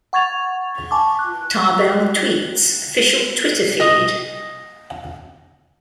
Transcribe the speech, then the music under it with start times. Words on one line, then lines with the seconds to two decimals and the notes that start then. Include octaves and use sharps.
Tarbell Tweets, Official Twitter Feed.
0.13 F#5 C#6 G#6 A6 F7
0.91 G#5 A5 C#6 D6
1.19 F#6
3.80 D#5 D#6